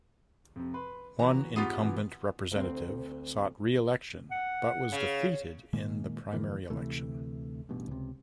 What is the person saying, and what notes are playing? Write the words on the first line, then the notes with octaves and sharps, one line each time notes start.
One incumbent representative sought reelection but was defeated in the primary election.
F2 C3
B4 B5 C6
E3 F#4 A#5
G#2 B3 F4 G4
C3 E3
D2 C4
F#5
C#3
A#2 D#3 G#3 A#3
F2 D3 E3 A#3
D2 C3 E3 A3
A1 G2 B2
C#2 C3